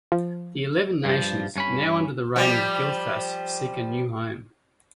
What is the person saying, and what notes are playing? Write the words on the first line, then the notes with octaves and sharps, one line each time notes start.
The elven nations, now under the reign of Gilthas, seek a new home.
F3
G2 F3
G2 C#4 B5
F3 G3